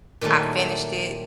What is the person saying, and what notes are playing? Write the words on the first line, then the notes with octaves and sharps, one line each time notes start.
I finished it,
A#2 D#3 F#3 G3 A3 E4